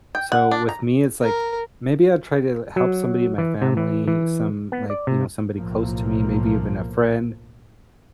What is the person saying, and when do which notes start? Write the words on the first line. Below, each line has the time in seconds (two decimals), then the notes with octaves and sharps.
So with me, it's like, maybe I'd try to help somebody in my family, some, like, you know, somebody close to me, maybe even a friend,
0.15 G5
0.32 F#5
0.51 D4
0.69 A#5
1.22 A#4
2.76 F#3
3.38 E3
3.62 C3
3.77 E3
4.08 E3
4.72 B3
4.90 D5
5.07 C3
5.55 B1 A2 F3 A#3